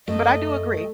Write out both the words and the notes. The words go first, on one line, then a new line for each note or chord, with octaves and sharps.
But I do agree
F#2 A3 D#5